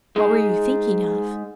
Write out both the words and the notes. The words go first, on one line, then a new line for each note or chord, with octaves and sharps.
"What were you thinking of?"
G#3 D#4 G#4